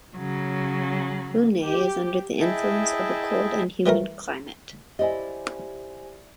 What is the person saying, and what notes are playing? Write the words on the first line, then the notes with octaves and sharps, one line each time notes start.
Huinay is under the influence of a cold and humid climate.
C#3 F#3
G4
E4 G#4 D#5 E5 G5 A5
E3 G3 A3 A#4
E4 G4 C5 D5 D#5 G#5